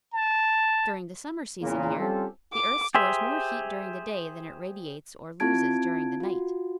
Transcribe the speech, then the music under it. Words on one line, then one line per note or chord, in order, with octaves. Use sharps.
During the summer season here the earth stores more heat during the day than it radiates or loses during the night.
A5
E2 A#2 C#3 A#3
G3 C4 C#4 F4 G4 A4
D6
G4 G#4 C5 E5
C4 E4 F4 A5 G#6 D7
F4 F#4